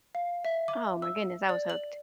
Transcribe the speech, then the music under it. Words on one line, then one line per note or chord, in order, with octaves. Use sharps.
oh my goodness, I was hooked.
F5
E5
D6
E6
D5
F#7